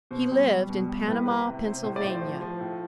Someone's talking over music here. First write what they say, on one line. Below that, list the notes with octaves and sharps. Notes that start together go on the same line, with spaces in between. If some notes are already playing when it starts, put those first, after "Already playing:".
He lived in Panama, Pennsylvania.
B2 C5
G3
G3
B2
G3
A2 B4
A2 B4
C3
C3 C5
A2 C5
D5
A2
C5
F3
F3
A2